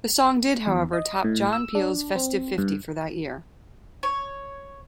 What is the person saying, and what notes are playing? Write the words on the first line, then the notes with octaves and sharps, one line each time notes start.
The song did however top John Peel's Festive Fifty for that year.
E2
D#5
A2
E6
D4
C4
G2
C#5